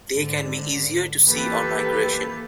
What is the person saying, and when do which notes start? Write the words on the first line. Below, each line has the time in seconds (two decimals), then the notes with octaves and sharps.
They can be easier to see on migration.
0.14 G#2 D3
1.27 E3 A#3 G4 A4 B4